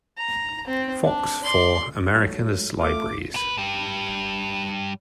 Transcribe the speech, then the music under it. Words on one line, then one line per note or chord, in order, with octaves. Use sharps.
Fox for America's Libraries.
A#5
C4
D4
D5 C6
G#2 F#3 A3
A3 F4 D6
A#2 B4
G2 G3